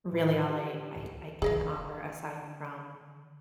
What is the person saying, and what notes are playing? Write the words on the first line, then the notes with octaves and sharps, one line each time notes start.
m really, all I I I can offer aside from,
A2 E4 B4
G4
D3 G#4 D#5 F5